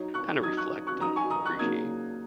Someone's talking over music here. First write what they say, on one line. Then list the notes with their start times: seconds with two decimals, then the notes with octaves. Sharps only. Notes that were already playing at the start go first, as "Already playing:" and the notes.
kind of reflect and appreciate.
Already playing: F#3 D#4 C#5
0.14 C#6 F#6
0.43 F#3 D#4 D#6 G#6
0.57 C#6 F#6
0.87 C#6 F#6
1.01 F#3 D#4 A#5 D#6
1.16 G#5 C#6
1.30 A#5 D#6
1.46 C#6 F#6
1.59 C#3 F#3 A#3 D#4 D#6 G#6